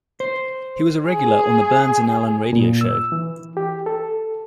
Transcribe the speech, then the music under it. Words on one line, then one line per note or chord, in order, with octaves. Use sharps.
He was a regular on the Burns and Allen radio show.
C5
G#4
A#2
E6
E3
G4
A4